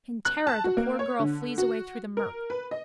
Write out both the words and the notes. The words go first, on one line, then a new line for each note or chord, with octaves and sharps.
In terror the poor girl flees away through the murk.
F#6
A5
F#4
A#3
C#5
D3
F#4
A#4
B4
D#5